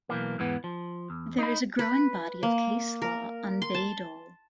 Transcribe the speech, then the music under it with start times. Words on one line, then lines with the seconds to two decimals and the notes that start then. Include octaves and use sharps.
There is a growing body of case law on Bayh-Dole.
0.09 B1 E3 A#3
0.38 E2 G#2 E3 B3
0.64 F3
1.10 E2
1.39 D#4 B5
1.79 B4
2.43 A#3
3.02 A#4
3.62 C6
3.74 A5